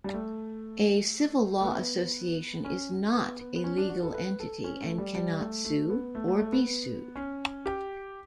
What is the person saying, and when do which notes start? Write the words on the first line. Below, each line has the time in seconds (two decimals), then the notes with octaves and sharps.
A Civil-Law Association is not a legal entity and cannot sue or be sued.
0.04 G3
0.14 A3
1.60 A3
1.64 B3
2.65 C#4
3.15 B3
3.40 B3
3.56 B3
3.64 C#4
3.77 D4
3.89 F#4
4.03 A4
4.14 B4
4.40 A4
4.64 C#4
4.81 A3
4.98 G3
5.15 G3
5.39 A3
5.65 A3
5.90 B3
6.15 A3
6.28 A3
6.40 A3
6.52 B3
7.16 C#4
7.66 G4